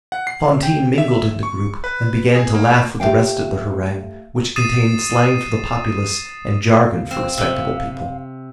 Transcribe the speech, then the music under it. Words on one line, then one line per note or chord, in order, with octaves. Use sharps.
Fantine mingled in the group, and began to laugh with the rest at the harangue, which contained slang for the populace and jargon for respectable people.
F#5
C7
G5
E5
C#6
B4
G#4
A#3
A3 G4 F5 G5
D#6 A6 C7 D#7 E7
F5
C4
C3